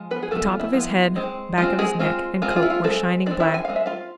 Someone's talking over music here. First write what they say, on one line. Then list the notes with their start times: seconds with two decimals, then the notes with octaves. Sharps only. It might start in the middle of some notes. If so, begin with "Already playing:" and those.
The top of his head, back of his neck and coat were shining black.
Already playing: F3 G#3
0.11 B3 B4
0.23 G#4
0.31 F3 G#3 A3 B3 A4
0.46 F4
0.60 E4
0.73 F3 G#3 B3
1.16 G#3 C4
1.58 G#3 C4 F4
1.79 G#3 G#4
1.99 G#3 C4 F4
2.42 G#3 C4 F4
2.50 G#4
2.56 F4
2.63 E4
2.70 F4
2.84 G#3 A3 C4 A4
3.26 G#3 C4 D4 D5
3.40 E4 E5
3.54 G#5
3.65 G#3 C4 F5
3.76 E5
3.86 F4 F5